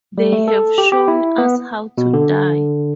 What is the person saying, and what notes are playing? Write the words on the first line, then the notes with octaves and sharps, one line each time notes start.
They have shown us how to die.
G3
A3
A4
G4
G4
E4
B3
B2
D3